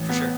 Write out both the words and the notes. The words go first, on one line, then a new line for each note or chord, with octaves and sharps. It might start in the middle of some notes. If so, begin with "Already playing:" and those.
For sure.
Already playing: A1
B3